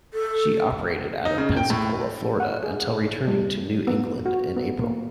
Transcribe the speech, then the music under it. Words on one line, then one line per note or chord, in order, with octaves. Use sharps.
She operated out of Pensacola, Florida, until returning to New England in April.
A4
D#4
C#3
G5
A2
F#5
G#4
G3
B3
F#4
B3
A#3